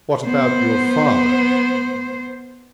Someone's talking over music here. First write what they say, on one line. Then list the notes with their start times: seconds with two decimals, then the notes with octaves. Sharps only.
"What about your father?"
0.25 B3 C5